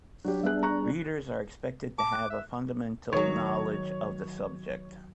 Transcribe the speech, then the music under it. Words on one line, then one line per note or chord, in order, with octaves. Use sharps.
Readers are expected to have a fundamental knowledge of the subject.
F#3 D4 G4
G3 B3 G#4 E5 F#6
A#5 C#6 F#6
A5 D6
F#6
E5
D#3 F#3 C#5